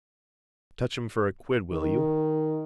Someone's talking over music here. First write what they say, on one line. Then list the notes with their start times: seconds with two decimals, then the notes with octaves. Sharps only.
Touch him for a quid, will you?
1.71 D#3